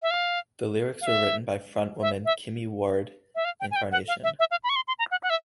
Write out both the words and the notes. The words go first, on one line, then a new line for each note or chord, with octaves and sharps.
The lyrics were written by frontwoman Kimi Ward Encarnacion.
E5
F5
F5
E5
E5
E5
E5
F5
G5
G#5
G5
F#5
F5
E5
E5
F5
B5
C#6
C6
C6
A#5
F#5
F#5
E5